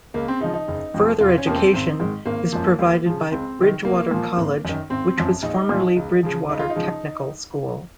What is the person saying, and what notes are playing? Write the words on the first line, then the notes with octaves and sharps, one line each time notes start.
Further Education is provided by Bridgwater College which was formerly Bridgwater Technical School.
C#2 A#3
C4
C#3 F3 D#4
D#4
F#1
F2 C3 F3
F1 F4
C#4
F2 C3 F3 A#3
C4
G#1
G#2 D#3
G#1 A#3
F#2 F3
D#2
C#3 F3
C#2 C4
C3 D#3
C2 A#3
A#2 F3
G#1
F#2 D#3
G#1 C4
F#2 F3
A#1 D#4
A#2 F3
C#2
C#3 F3
C#2 D#4
F4
D#4
C#3 F3